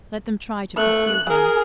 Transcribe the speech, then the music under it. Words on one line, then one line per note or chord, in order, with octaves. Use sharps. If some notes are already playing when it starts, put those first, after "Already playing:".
Let them try to pursue him!
A3 F#6
G#4 A#4